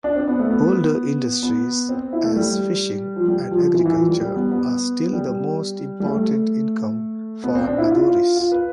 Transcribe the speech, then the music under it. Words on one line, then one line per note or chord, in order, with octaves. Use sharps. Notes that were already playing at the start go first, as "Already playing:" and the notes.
Older industries as fishing and agriculture are still the most important income for Nadoris.
D4
C4
B3
A3
B3
B3
C4
E4
A3
G3
F3
G3
F3
E3
E3
F3
G3
G3
B3
B3
G3
G3
A3
B3
C4
D4
E4
F4
F4
B4